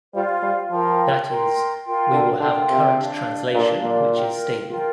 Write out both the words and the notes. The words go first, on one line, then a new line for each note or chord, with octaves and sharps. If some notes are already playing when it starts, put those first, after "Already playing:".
That is, we will have a current translation which is stable.
G3 F4 C5 F5
G3
F3 A#4 G5 C6
A#4 G5 C6
F4 A#4 G5 C6
D3
D3 F4 A#4 G5 C6
C3
D4 G4 D5 F5
A#2 D4 G4 D5 F5
A#2
F4 A#4 G5
F4 A#4 G5